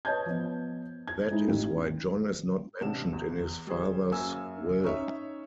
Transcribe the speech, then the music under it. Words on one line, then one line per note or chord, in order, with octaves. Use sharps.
That is why John is not mentioned in his father's will.
B4 C#5 D#5 A5 G6 G#6
F3 B3
G#6
G#3 D#4 E4
A1
A1 C3 D4 E7
E2
G3 G#4 C5
F#2 A#3 C#4 G#5 E6
C#4 D#4 C#5 E5